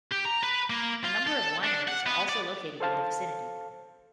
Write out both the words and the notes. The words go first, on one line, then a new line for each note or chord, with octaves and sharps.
A number of wineries are also located in the vicinity.
G4
A#5
B4
A#3
F4
A4
D4
F#5
B3
D5
A4 C5 F5 A5